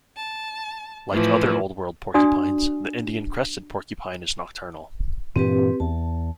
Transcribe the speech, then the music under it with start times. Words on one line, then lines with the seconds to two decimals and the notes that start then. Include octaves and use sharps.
Like other Old World porcupines, the Indian crested porcupine is nocturnal.
0.17 A5
1.11 A2 E3 F3
2.14 D4 F#4 D5 G#5 D#6
5.36 G2 A#2 E3 C4 G4 B4
5.80 E2 A5